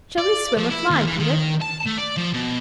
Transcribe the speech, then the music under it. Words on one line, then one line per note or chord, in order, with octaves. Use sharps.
"Shall we swim or fly, Peter?"
D5
F3
E4
D#2
E3
D#3
A5
A3
D5
F3
B2